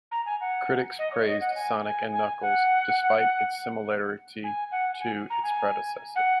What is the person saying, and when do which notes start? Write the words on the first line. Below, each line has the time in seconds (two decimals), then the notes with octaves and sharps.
Critics praised "Sonic and Knuckles", despite its similarity to its predecessor.
0.11 A#5
0.26 G#5
0.41 F#5
0.98 D#5
1.12 C#5
1.26 D#5
1.41 F#5
1.55 G#5
1.84 G#5
2.13 G#5
2.42 F#5
4.44 G#5
4.71 F#5
5.00 G#5
5.30 A#5
5.43 G#5
6.15 F#5